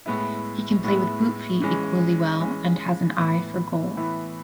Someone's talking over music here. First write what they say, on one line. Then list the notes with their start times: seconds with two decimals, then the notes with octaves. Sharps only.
He can play with boot feet equally well and has an eye for goal.
0.06 A2 G#3 B3 E4
0.84 A2 G#3 B3 E4
1.62 E3 G#3 C#4
2.40 E3 G#3 C#4
3.18 A2 E3 B3 E4
3.96 A2 E3 B3 E4